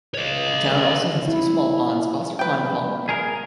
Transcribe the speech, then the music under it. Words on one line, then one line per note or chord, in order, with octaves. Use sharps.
The town also has two small ponds, Foster Pond and Palmer Pond.
C#5 D#5
E4
B4 G5
G#4 A#4